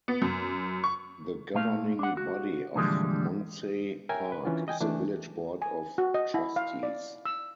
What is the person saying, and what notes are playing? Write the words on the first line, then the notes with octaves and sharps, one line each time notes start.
The governing body of Munsey Park is the Village Board of Trustees.
B3
F#2
C#6
A#2 A3 F5
D4 F#5
F#4
A#2 D3 E3 F3 G3 G#3
A#4 C#5 E5 G5 G#5
B4
E3 C#4 D4 F4
D#5 G5 G#5
E3 A3 D4
G#5
F#4
D#5
E4
F5
D5
E6